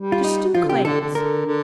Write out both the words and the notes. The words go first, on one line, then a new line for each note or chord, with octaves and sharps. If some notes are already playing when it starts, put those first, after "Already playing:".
To Stew Clams.
Already playing: G3
F4
D#4
F3 F4
D3
G4
C3
D3 A4
D3
D3 A#4
D3